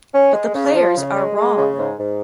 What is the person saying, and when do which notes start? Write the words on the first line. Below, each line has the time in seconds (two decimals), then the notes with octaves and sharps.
But the players are wrong.
0.13 C#4
0.34 G#3
0.54 C#3
0.74 F3
0.95 C#3
1.15 G#3
1.35 G#3
1.56 C#3
1.77 G#2
1.97 G#2